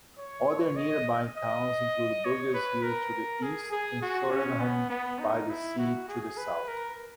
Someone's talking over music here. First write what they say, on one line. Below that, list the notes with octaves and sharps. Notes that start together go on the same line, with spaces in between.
Other nearby towns include Burgess Hill to the east and Shoreham-by-Sea to the south.
C#5
D#5
D#5
C#5
B4
A#4
G#4
G#4
F#4
C#4
B3
B3
D#4
E4
F#4
G#4
B4
A#4